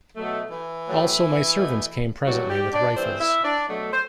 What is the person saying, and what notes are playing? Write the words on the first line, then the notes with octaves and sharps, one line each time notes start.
Also my servants came presently with rifles.
B2 F#3 A3
E3 E4
A2 F#3 A3
B2 A3
A2 E3 F#3 G3 F#4
G3 G4
D4 D5
A2 E3 G3 C4 C5
E4 E5
D4 D5
B2 F#3 A3
C5